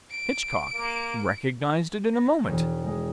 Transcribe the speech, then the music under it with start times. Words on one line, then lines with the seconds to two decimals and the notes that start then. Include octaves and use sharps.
Hitchcock recognized it in a moment.
0.11 D7
0.74 A#3
2.13 A#6
2.48 E1
2.84 G#3